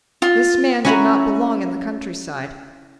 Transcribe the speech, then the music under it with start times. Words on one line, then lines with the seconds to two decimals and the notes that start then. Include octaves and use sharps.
This man did not belong in the country-side.
0.22 F4
0.85 C#4 E4 F#4 G#5 A#5 B5